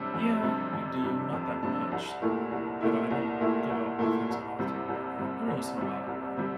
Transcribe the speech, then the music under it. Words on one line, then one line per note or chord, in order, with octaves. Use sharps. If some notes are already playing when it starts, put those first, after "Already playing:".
Yeah, we do not that much though. I don't I don't go out with my friends that often, but uh, every once in a while I will.
Already playing: C3 G3 D4
F2
C3 G3 D4
F2
C3 G3 D4
F2
C3 G3 D4
C2
A#2 A3 E4
C2
A#2 A3 E4
C2
A#2 A3 E4
C2
A#2 A3 E4
C2
C3 G3
C2
C3 G3
C2
C3 G3
C2
C3 G3